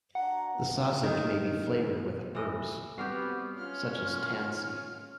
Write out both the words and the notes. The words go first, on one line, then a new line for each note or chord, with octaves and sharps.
The sausage may be flavoured with herbs, such as tansy.
D4 F#4 F#5 A#5
F3 B3
D#3
E3 D#5
G3 B3 C4 F#4 G4 D6 F6 C7
C#4 F4 F6